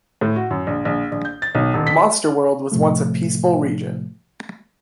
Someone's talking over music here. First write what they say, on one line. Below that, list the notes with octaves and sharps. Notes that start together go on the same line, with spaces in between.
Monster World was once a peaceful region.
A2
F#4
F#2
A#1
A#1
A#1
G6
A6
B1
D#1
B6
A2 C3 F3 A3